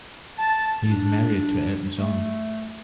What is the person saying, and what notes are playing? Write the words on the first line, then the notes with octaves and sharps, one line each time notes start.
He is married to Elton John.
A5
D4
A3